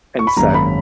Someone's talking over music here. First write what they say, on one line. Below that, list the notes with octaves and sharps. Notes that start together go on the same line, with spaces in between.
And so
C#6
B5
G#1 F#2 D#3 A#3 C#4 A#5
B5